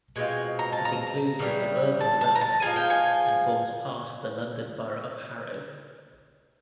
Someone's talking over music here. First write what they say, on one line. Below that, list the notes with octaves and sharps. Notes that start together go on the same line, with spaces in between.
It includes a suburban development and forms part of the London Borough of Harrow.
B2 G#3 C4 F4 G#5
A#5
A5
A#5
C#3 E3 G3
A5
A5
A#5
A5
F3 G#3 F4 G#5
G5
G#5